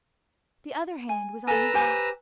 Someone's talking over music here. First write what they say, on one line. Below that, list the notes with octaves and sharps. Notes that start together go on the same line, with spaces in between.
The other hand was on his lap.
G#5
A4 B4 G#5 A#5 E6
G4 C5 G#5